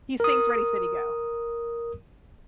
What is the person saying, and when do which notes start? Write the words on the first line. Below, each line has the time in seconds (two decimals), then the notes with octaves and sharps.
he sings "Ready Steady Go!"
0.20 A#4 D#6